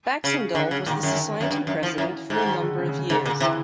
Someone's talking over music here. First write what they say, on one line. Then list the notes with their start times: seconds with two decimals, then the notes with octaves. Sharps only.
Baxandall was the Society president for a number of years.
0.24 C#3
0.55 D3
0.71 C#3
0.80 D3
0.86 A#2 D#3
1.03 F#2 D#3
1.19 D#3
1.41 F#2
1.51 G2
1.67 F#2
1.82 E3 F3
1.98 F#2
2.30 G#2
2.46 D#3
2.62 D3
2.78 C#3
2.89 C#3
2.99 C#3
3.10 G#2 C#3
3.25 A#2 D3
3.40 C3 E3